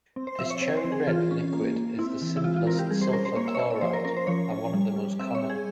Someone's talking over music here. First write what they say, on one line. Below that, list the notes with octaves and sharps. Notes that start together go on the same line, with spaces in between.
This cherry-red liquid is the simplest sulfur chloride and one of the most common.
C4
C5
F3 E5
C#5
C4 C5
C5
C4
G#4
E3 F4
C#4
A#3
A#3
C4 E4
E3
E4
G#3 F4
F4
C4 A#4
G4
G3 G#4
C5
C#4 A#4
C5
A#3 C#5
E5
C#5
A#3 E5
C#5
F3 C5
A#4
C#4 A#4
C5
F3 C#5
C#4
G3
G3
C4 E5
C#5
G3
G#4